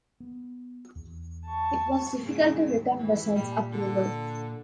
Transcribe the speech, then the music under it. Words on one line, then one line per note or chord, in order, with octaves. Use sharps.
It was difficult to return vessels upriver.
B3
E2
A5 C#6
G#2 C#3 A#3
E3
A#2 G3
D3